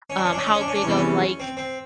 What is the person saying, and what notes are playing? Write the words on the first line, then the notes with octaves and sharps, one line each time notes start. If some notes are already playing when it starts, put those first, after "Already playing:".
um, how big of like,
C#4
D4
C#4
D4
C#4
D4
C#4
D4
C#4
D4
E2 C3 E3 G3 C#4
D4
C#4
C4
C4